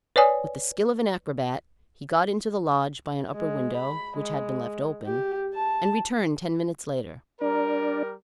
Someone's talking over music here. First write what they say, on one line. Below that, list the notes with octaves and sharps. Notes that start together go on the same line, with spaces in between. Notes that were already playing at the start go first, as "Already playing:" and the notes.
With the skill of an acrobat, he got into the lodge by an upper window which had been left open, and returned ten minutes later.
B4 C#5 D5 G#5 D#6
G#3
B5
G#3
G4
A5
G3 D4 A#4 D5